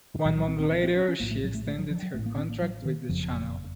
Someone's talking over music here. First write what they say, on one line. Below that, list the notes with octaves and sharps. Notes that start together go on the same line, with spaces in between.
One month later she extended her contract with the channel.
C2 A#2 F#3
F#3
C4
C4
C4
C4
C#4
C#4
A#1 A2 A#3
A3
F#3
A3
A3
F#3
F3
F#3
A1 A2 A3
A#3
C4
A#3
F#3
D#3
F#1 F2 C#3 F3